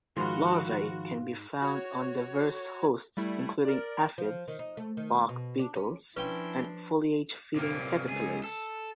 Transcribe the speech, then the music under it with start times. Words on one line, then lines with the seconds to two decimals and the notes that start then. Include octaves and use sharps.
Larvae can be found on diverse hosts, including aphids, bark beetles, and foliage-feeding caterpillars.
0.17 G#2 D#3 F3 F4 F#4 F5 B5
1.62 F#4 C#5
3.17 G3 A3 E4
3.65 A#4 D5
4.18 F3
4.48 D#3
4.59 D#4
4.77 A3
4.97 D#3
5.29 B2
5.59 D4
5.75 C#4
6.16 F3 C#4 D4 E4 B4 G5 C6
7.56 C3 A#3
8.09 C#2 G#4
8.44 A4